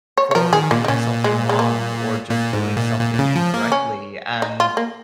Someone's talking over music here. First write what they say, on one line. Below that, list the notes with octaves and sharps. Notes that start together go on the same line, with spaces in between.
for doing something wrong or just doing something incorrectly and
C#5
C#5
F3 A#4
D#3 G#4
A#2 A#3
D#4
A#2 C#4
G#3
G#3
A#3
A#2
G#2
A#2
A#2
A#2
C#3
F3
A#3
C#4
D#4
F4
A#3